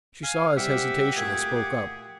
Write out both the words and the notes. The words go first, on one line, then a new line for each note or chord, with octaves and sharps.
She saw his hesitation and spoke up.
F5 G#5
C2 G3 G4 E5 F#5 D6
A#2 A3 F#4 G#4
G#4